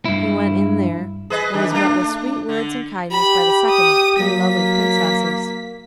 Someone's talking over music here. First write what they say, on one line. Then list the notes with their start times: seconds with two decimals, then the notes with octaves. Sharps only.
He went in there, and was met with sweet words and kindness by the second of the three lovely princesses.
0.05 G2 E4
1.30 G#4 B4 D#5
1.54 D#3 D4
1.72 A3 D4
2.49 D3
3.11 G4 B5
3.69 D#6
4.20 F#3 A#3 B6